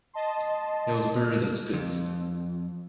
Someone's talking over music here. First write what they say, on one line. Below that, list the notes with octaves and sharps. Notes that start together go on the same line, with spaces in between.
He was buried at Split.
D#5 A5 C6
F2